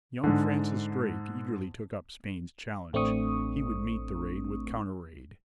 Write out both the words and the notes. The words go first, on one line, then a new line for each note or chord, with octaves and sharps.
Young Francis Drake eagerly took up Spain's challenge; he would meet the raid with counter-raid.
G#2 D3
A1 A3 C4 D4 C#6 D#6